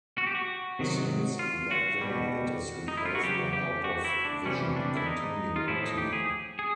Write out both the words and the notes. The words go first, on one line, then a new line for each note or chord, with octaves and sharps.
Since that day, it is replaced by out-of-vision continuity.
F#4
G4
F#4
C3 D#3 F#3
F4
F#4
B2 G3
D#4
E4
F4
F#4
C#3 F#3 G4
G4
F#4
E4
D4
C3 E3 G3 C#4
D4
E4
D#4
F4
A2 F3 E4
D#4
G4
G#4
G#4